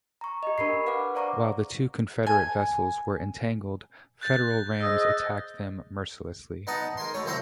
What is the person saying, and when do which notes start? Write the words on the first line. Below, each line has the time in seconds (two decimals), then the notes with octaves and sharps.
While the two Confederate vessels were entangled, Federal rams attacked them mercilessly.
0.21 A#5 C#6
0.43 G4 D#5
0.58 D4 A#4 B5 C#6 C7
0.86 B4 F5 F#5 D6
1.15 C5 D5 A#5 C#6 D6
2.27 G#5
4.21 F#6 G6 A6
4.81 G#4 C5 D#5 E6
6.67 B3 D#4 D#5 F#5 A5
6.97 A#4 G#5 C6
7.14 B2 A3 C#5
7.26 C2 F#3 C5 E5 F#5 A#5